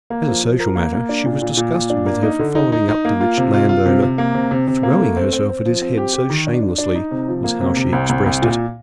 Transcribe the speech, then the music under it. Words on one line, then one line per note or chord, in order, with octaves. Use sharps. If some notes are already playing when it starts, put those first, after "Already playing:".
As a social matter, she was disgusted with her for following up the rich landowner--"throwing herself at his head so shamelessly," was how she expressed it.
A#3
F3
F3
A#4
A#3
A#3
D4
A#2
A#2
A#2
A#2
D4
A#3
D#4
D3
D#4
D#4
D#4
A#3
F4
C3
F4
F4
C3
C3
A#3
C3
C3
C3
A#3
A3
C4
C4
C4
F3
C4
G4
G4
D#3
D4
D4
D4
D#4
C3
F3
A#3
C3
C3
C2
C2
C2
A#2